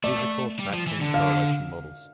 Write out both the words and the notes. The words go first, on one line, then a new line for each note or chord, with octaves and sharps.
These are called maximum correlation models.
A3 D5
G3
F3
E3
D3
F5